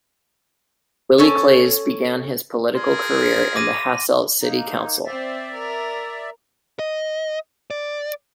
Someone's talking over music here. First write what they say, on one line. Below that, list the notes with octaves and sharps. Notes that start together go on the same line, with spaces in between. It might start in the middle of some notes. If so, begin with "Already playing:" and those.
Willy Claes began his political career in the Hasselt city council.
C#4 A4 C#5
F4 G#4 A#4 C6
D6 A#6 D#7
A#3 D#4
C4 C5 D5 E5
A#4
D#5
D5